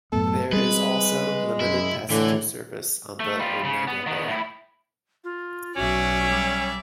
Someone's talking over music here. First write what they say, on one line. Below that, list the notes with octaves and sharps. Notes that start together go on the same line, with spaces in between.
There is also limited passenger service on the Onega Bay.
F#2 A2 B3 A4
G3 G#3 C4 B4
F#2 E4
A2 D3 E3
A3
G3 F4
C#3
B3
D#3 B3
A2 E4
F4
B1 C#4 F#4 D5 E5
G3